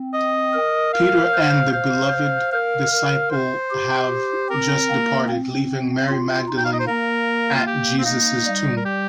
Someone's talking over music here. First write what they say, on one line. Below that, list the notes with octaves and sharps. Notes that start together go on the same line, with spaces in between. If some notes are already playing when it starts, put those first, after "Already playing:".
Peter and the Beloved Disciple have just departed, leaving Mary Magdalene at Jesus' tomb.
Already playing: C4
D#5
A#4
F5
C5
C5 F5
C5
A#4 F5
A#4
C5
G4
C4 A#4
A#3
C4
F4
D#4
G5
F5
D#5
C5
A#3 A#4
F4
G4
C4
A#3 D#4
G3
A#4
G4